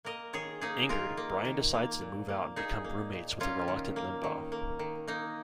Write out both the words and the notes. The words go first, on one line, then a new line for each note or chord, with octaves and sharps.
Angered, Brian decides to move out and become roommates with a reluctant Limbaugh.
A#3 A#4 D#5
D#3 G#4 C#5
A#3 D#4 G#4
D#3 F4 A#4
A#3
D#3
A#3
A#2
A#3
A#2 D#4 G#4
A#3
A#2
A#3 C#4 F4
D#3
A#3
D#3
A#3
D#3
A#3 D#4